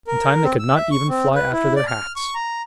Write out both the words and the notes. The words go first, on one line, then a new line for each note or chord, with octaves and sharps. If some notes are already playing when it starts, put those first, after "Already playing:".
In time they could not even fly after their hats.
A#4
C4
E6
E5
C#6
C4
B4
E4
D5
F6
C#6
A#5